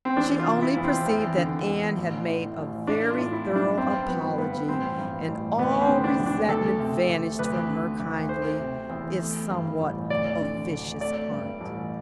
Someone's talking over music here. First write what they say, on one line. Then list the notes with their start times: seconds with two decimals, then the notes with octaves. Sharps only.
She only perceived that Anne had made a very thorough apology and all resentment vanished from her kindly, if somewhat officious, heart.
0.05 C4
0.17 E2 D4
0.40 F4
0.46 C3
0.62 E4
0.77 E2
0.84 C4
1.06 E2
1.38 D3
1.67 E2
1.97 A1
2.28 A2
2.58 A1
2.87 A3 D4
3.10 F4
3.18 A2
3.33 E4
3.48 B1
3.55 D4
3.78 G2 C4
4.08 F3 B3
4.38 G2 B3
4.68 A1 C4
4.98 G2
5.28 A1
5.58 D2 B3
5.81 C4
5.88 D3
6.04 D4
6.19 D2
6.26 D4
6.49 D2 A4
6.80 C3
7.09 D2
7.39 D2 B4
7.70 D3
8.00 D2
8.29 A3 C5
8.60 C3
8.90 E2
9.19 A3
9.51 G2
9.80 A1
10.10 D2 D5
10.41 D3
10.71 D2
11.00 A3 D5
11.31 G2
11.60 A1